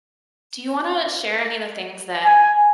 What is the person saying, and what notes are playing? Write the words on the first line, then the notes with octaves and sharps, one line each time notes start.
Do you wanna share any of the things that
G#5